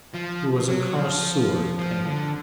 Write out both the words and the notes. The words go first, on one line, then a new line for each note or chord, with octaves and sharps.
He was a connoisseur of painting.
F3
F#3
F3
F3
D3